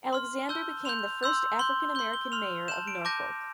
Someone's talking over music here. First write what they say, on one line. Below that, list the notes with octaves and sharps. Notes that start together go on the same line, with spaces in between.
Alexander became the first African American mayor of Norfolk.
C6 F6
A5 E6 G6 G7
C6 G6 F7
C6 E6 G6
C6 G6 G7
C6 G6 G7
G7
C6 F6 F7
A5 C6 G6 E7
D7
A5 D6 G6 A#6